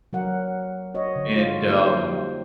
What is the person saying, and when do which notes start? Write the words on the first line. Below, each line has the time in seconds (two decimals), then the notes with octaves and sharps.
And, um,
0.13 F#3 A#4 F#5
0.94 F#4 C#5 D#5
1.16 D3
1.36 F4
1.67 G3 A#3 D#4 F#4 G4 C5